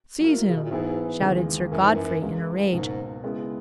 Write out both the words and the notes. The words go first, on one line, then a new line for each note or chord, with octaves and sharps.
"Seize him!" shouted Sir Godfrey in a rage.
F#3 A#3 E4
C#3
B2
A#2
G#2 E3 B3 E4 G#4 B4
D#2 C#3 E3 G#3
F#2 E3 A#3 E4
G#2
F#2
C#2 C#3 E3 G#3
C#2 G#2 B2 F#3 A#3
C#3 G#3 B3 E4